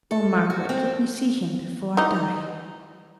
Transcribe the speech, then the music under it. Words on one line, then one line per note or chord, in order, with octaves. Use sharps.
Oh, Margaret, let me see him before I die!'
A4
F#4
C4
E3 D#4